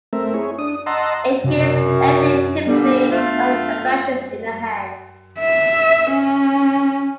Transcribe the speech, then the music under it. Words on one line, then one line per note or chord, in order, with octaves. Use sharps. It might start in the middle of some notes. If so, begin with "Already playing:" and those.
It gains entry typically by abrasions in the hand.
A3 C4 A#4 E5
E4 G#4 C#5
D4 D#6
D#5 F#5 A5 A#5 C6 E6
F#2 C3
A#2 D3 G3 B3 D4
A3 F4
E5
C#4